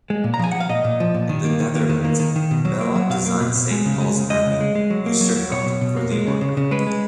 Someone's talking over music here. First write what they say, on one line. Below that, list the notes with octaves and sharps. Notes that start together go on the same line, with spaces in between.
In the Netherlands Bellot designed Saint Paul's Abbey, Oosterhout, for the Order.
G#3
A#2
A#5
F3 G#5
F3 F#5
F5
A#2 D#5
A#2
F3
A#2
D#3
A#3
D#3
A#3
D#3
A#3
D#3
D#3
B2
F#3
A#3
F#3
B2 F5
A#3
B2
B2
G#3
C#3
G#3
C#3
G#3 D#5
C#3
G#3
G#3
F#3
A#3
F#3
F#3
B2 C#5
B2
B2
A#3
G#3
C#3
C#3
C#3
G#3 B4
G#3